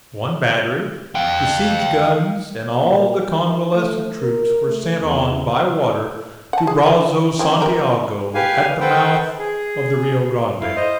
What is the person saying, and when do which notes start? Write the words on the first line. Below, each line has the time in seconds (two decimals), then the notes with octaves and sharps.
One battery, the siege guns and all the convalescent troops were sent on by water to Brazos Santiago, at the mouth of the Rio Grande.
1.15 F5 G5
2.80 A#2
3.34 D#3
3.74 A3
4.21 A#4
4.67 A3
5.01 E2
6.53 F#5 A5
6.67 G#4
6.83 F4 A#4
7.39 D#3 C4 C#4
7.60 E4 G4 A#4
8.34 G4 B4 F5 G#5
8.80 A4 B4 C5 F#5 G5
9.39 G#4
10.60 E4 F5
10.76 C5 D#5